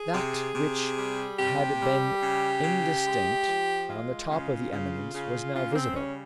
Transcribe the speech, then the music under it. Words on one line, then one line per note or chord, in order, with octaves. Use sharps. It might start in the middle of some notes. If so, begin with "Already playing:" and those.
That which had been indistinct on the top of the eminence was now visible.
Already playing: G#4
C3
C3
G3
C3 G4
G3
C#3
C#3
G#3
F3
G#3 F4
C#3
C#3
C#3
C#3 F4
A#3
C4
G3 C#4